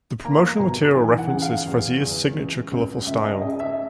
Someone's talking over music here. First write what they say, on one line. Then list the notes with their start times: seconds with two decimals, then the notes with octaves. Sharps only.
The promotional material references Frazier's "signature colorful style".
0.25 A#3 A#5
0.59 B2 A#5
0.94 E3 G#5
1.18 F#5
1.30 C#3
1.37 F#5
1.42 F5
1.65 E2
2.00 E2
2.36 C#2
2.71 C#2
3.06 C#2 E5
3.24 D#5
3.42 C#3 D#5
3.60 E5